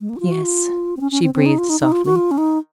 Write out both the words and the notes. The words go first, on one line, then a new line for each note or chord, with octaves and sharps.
"Yes," she breathed softly.
G#3
A#3
F#4
F4
F#4
F4
C4
C#4
C#4
C4
C4
D#4
F4
D#4
D#4
F4
F#4
F4
C#4
D#4